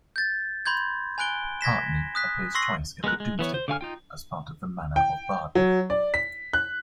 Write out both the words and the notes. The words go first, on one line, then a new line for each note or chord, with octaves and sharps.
Partney appears twice in the "Domesday Book", as part of the Manor of Bardney.
G6 A6
B5 C6 G6 G#6
G#5 B5 F#6 D7 G7
G#6 A#6 B6 E7
D#6 F#6 B6
C6 C#6 E6 A#6 C7 F#7
G#3 B3 A#4 F#6
G#3
E3 B3 C#5
C5
D3 F5 G#5 F6
D#4 F4 G5
G5
F#3
D5
B6
F#6